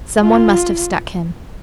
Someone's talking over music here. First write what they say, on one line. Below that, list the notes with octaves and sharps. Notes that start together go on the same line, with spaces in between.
Some one must have struck him.
F4